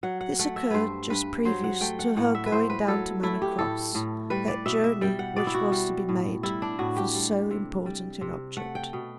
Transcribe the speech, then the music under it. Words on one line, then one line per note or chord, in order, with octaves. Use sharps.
This occurred just previous to her going down to Manor Cross,--that journey which was to be made for so important an object.
F#3 F#5
F#5
A3 F#5
E5
G2 B4 C5
G2 B4
F#3 C5
F#5
A3 G5
F#5
A2 F#5
E5
B4
A2 C5
B4
F#3 A4
A3 E4
G4
A2 A4
A2
G3 B4
D5
B2 E5
E5
G3 G5
F#5
B2 D5
E4
F#4
G3
A2
G3 E4
D4
A2 F#4
G4
G3
C3
G3
C3
A3 F#5
G5
B2